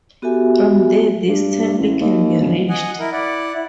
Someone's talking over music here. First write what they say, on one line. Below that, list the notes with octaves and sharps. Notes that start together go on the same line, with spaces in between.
From there this temple can be reached.
B3 F#4 G4 A4 E5 G#5
G2
A1
D#2
D1
D#5 F#5 G#5
E4 A#4
E4 D5 F#5
E4